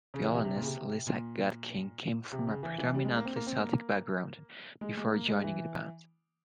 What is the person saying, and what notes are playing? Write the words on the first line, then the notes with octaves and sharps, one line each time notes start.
Violinist Lisa Gutkin came from a predominantly Celtic background before joining the band.
C#3
E3
C3
C3
A#2
C#3
C3
A#2
C3
C#3
E3
E3
G3
G#3
A#3
C4
A#3
C4
A#3
G#3
G#3
A#3
G#3
E3